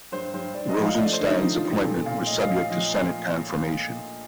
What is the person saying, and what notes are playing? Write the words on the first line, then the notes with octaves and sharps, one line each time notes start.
Rosenstein's appointment was subject to Senate confirmation.
G2 C5
G2 C5
G2 D5
D#5
F3
F5
D#5
A3 D5
C5
D3
D#4
F3 D#4
F4
F3
G4
A#2 A4
A#2 F5
A3 D#5
F5
F3
F5
F3 D#5